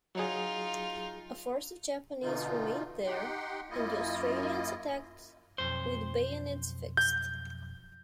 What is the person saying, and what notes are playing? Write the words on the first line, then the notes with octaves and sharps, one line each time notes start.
A force of Japanese remained there, and the Australians attacked with bayonets fixed.
F#3 D#4 F4 G#4
B2 D3 E3 D#4 F4
D#4 G4 F#5 G5 C6
F#2 A#3 E4 F4 D#5
B1 F2 C5
G6